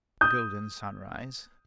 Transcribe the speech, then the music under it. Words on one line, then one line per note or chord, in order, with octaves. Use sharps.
A golden sunrise.
D#6 G6